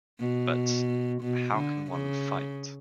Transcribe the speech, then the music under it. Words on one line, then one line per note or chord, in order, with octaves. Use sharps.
But — How can one fight?
B2
B2
D3
C#3